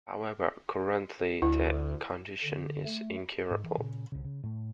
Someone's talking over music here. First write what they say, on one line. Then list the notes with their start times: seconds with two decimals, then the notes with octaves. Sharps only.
However, currently the condition is incurable.
1.42 D2 E4
2.43 D3
2.85 A3
3.51 G#2
3.64 E3
3.78 A#2 C#3
4.12 C2 C#3
4.24 C#3
4.43 A2 A3